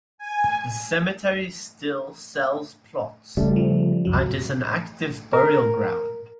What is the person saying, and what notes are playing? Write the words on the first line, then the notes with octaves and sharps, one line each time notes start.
The cemetery still sells plots, and is an active burial ground.
G#5
C#3 G3 A3
F3
C#2 F#2 F#3
A#4